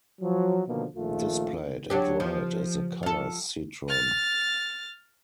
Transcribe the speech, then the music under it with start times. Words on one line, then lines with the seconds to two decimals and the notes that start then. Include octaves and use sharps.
Displayed at right is the color citron.
0.21 F3 F#3
0.67 B2 D3 D#3 F3 A#3
0.96 A#1 D#3 A3 F4
1.90 F#3 D4 G4
2.20 F3
3.03 F4 A4
3.88 F6 A6